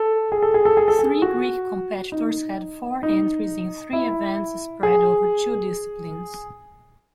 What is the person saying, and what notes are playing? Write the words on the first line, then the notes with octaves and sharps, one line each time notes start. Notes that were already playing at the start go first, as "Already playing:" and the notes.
Three Greek competitors had four entries in three events spread over two disciplines.
Already playing: A4
G#4
A4
G#4
A4
G#4
A4
G#4
F#4
D#4
D#4
E4
G#4